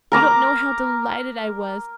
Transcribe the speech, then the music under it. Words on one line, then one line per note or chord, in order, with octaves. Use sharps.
You don't know how delighted I was.
A#4 A#5 D6